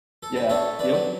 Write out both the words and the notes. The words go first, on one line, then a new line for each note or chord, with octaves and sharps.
Yeah. Yep.
A4
B4
D4 A4 C#5
B4 D5
F#3